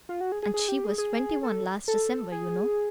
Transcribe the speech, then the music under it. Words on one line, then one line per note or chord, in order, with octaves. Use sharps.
And she was twenty-one last December, you know.
F4
F#4
G#4
G#4
G#4
G4
G#4
G#4
A4
A4
G#4